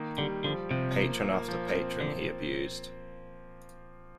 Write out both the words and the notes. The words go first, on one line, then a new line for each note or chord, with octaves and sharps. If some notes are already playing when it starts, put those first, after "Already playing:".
Patron after patron he abused.
Already playing: D#3 A#3 D#4
D3 G3
D3 F3
C3 F3
A#3
A#3
F3
C4
D3